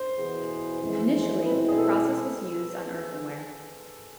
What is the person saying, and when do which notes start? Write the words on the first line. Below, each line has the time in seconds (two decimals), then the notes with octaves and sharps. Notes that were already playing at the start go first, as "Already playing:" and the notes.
Initially, the process was used on earthenware.
Already playing: C5
0.16 E2 B2 B3 E4 G#4
0.80 F2 E3 G#3
1.45 B2 G#3 C4 E4 B4
1.69 G#4
1.78 A4